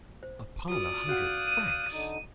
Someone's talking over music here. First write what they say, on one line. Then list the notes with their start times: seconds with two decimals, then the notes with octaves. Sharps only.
"Upon a hundred francs!"
0.23 C5
0.69 F4 F#4 B4 D5 D#6
1.09 F#4 F5 F#5 F#6 G6
1.47 D#7
1.93 D3 D#4